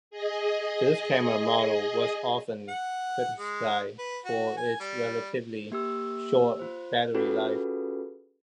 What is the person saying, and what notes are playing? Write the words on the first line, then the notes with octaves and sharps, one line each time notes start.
This camera model was often criticized for its relatively short battery life.
G#4 D#5
F#5
G#3
B4
F#4
G#5
G3
A#3 G4 E6
F4 C5
C#4 F4 F#4 G#4 A4 B4